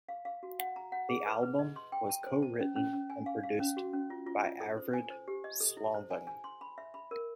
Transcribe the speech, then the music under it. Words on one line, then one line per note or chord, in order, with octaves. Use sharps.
The album was co-written and produced by Arvid Solvang.
F5
F5
F#4
F#5
A#5
F#5
G#4
B4
B4
D#5
C6
G5
A5
C5
A5
C#4
C#4
C#4
G#5
F5
F5
C#4
F#4
C#4
F4
F4
F4
A4
C5
G#5
C5
G4
D#5
A4
E4
C5
G#5
G#5
C6
B5
E5
B5
A#4